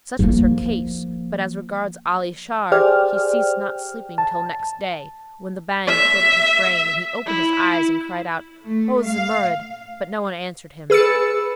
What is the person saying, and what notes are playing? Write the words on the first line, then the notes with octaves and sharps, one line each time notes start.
Such was her case; but as regards Ali Shar, he ceased not sleeping till next day, when the Bhang quitted his brain and he opened his eyes and cried out, "O Zumurrud"; but no one answered him.
F3 A#3
G4 G#4 C5 D5 G5 F6
A5
E5
E4
A3
F5
G#4 B4 E6 A6 C#7